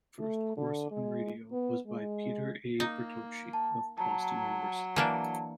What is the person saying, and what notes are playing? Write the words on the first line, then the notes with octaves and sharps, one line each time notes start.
The first course on radio was by Peter A. Bertocci of Boston University.
A3
D3
G#3
B3
G#3
A#3 D#4
A5
F#3 A5 A#5
E3 A#3 D4 A5